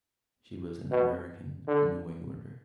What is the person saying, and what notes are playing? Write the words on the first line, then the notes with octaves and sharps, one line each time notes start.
She was an American, a New Englander.
B2
D3